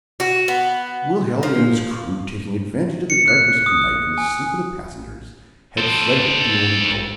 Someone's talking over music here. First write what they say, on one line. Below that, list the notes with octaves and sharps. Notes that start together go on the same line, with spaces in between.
WILL HALLEY and his crew, taking advantage of the darkness of night and the sleep of the passengers, had fled with the only boat.
F#4
B3
F3
C#7
F#6
D#6
G#5
A4 C5